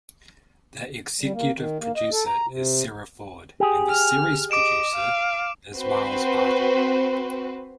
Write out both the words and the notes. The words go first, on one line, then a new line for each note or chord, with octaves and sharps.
The executive producer is Sara Ford and the series producer is Miles Barton.
G3
A#3
D#3
A#3
D#5
A4
A#5
C3
G4 G#4
F6
D#5 D6 D7 E7
F5
C4 F#4 B4 C5